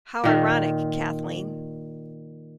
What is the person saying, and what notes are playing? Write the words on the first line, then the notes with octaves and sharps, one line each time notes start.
How ironic, Kathleen.
A#2 D#3